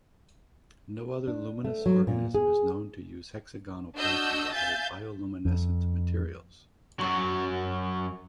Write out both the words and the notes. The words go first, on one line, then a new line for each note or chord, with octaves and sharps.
No other luminous organism is known to use hexagonal packing to hold bioluminescent materials.
D4
A3
F#3
A#2
G#4
D4 F#4 D#5 E6 G6
E5 F5 G#5 G6 A6
F2
F#2 F#3